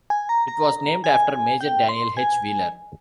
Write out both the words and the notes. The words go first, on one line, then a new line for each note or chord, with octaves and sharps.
It was named after Major Daniel H. Wheeler.
G#5
A#5
A#5
G#5
G5
C6
G#5